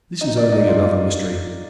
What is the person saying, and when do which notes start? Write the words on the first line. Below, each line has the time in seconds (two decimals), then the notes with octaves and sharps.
This is only another mystery.
0.21 D#4 D#5
0.37 D4 D5
0.52 D#4 D#5
0.68 F4 F5